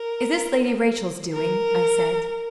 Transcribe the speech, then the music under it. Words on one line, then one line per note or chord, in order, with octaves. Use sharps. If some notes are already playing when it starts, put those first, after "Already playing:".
"Is this Lady Rachel's doing?" I said.
Already playing: A#4
A#4